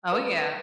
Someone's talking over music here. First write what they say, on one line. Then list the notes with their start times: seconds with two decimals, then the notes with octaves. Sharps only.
Oh, yeah.
0.13 B4